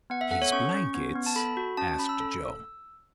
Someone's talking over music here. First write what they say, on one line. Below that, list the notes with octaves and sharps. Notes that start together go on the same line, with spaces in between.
"His blankets?" asked Joe.
B3 F#5
E5
A4 F#5
C#5
C#4 C#6
C#4
B3
B3
A5
A4 B5
F#4
C#4 A5
A5
C#4 B5
E6
A4